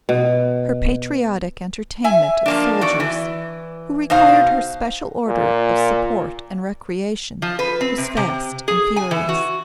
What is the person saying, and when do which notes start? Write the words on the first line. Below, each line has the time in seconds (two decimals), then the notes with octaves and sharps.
Her patriotic entertainment of soldiers who required her special order of support and recreation was fast and furious.
0.09 B2
2.04 E5 G#5
2.46 F3 A#3 D4
2.81 E2 F#4 D5
3.00 E3
4.10 B2 D#4 C5 F5
5.27 A#2
7.42 F3
7.59 B4
7.81 C4
7.98 C3
8.17 C3
8.68 G#4
8.96 G#5
9.11 E3
9.29 F#4